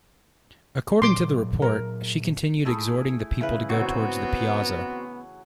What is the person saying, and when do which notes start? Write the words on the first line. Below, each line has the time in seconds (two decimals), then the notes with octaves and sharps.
According to the report, she continued exhorting the people to go towards the piazza.
1.02 A#2 F#3 C6 D6
1.62 A#4
2.65 A3 E4 G#4
3.41 C#3 E3 B4
3.70 F#3 B3 C4 F#4 C#5